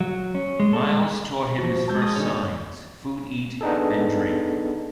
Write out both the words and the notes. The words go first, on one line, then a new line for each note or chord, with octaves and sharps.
Miles taught him his first signs, "food-eat" and "drink".
F#3
C#4
G#3
A4
G#3
D#2 F3 F#4 C5
G#3 A5 E6 G6
C#6 D#6 G#6
D3 D#3 D#4 A4 C#5
B3 D4 D#4 G#4 A4